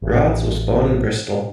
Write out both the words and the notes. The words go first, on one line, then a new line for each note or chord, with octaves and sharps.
Rahtz was born in Bristol.
A1